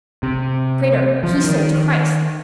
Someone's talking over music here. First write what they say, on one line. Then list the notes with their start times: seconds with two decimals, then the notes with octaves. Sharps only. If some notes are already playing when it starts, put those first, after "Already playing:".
Traitor, he sold Christ....
0.23 C3
1.23 F3
1.44 D#3